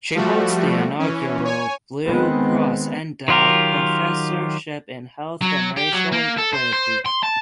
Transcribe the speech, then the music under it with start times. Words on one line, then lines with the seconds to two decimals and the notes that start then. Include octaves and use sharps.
She holds the inaugural Blue Cross Endowed Professorship in Health and Racial Equity.
0.15 F3 G3 A3 F#4
0.99 E3 C#4
1.45 C#5 G#5
2.04 D#3 G#3 B3 C4
3.28 D#3 F#3 F4 G4 A#4
5.41 F#3
5.76 G4
5.92 F#3
6.13 A#3
6.38 A4
6.54 C5
6.73 C5
7.06 C6
7.23 A5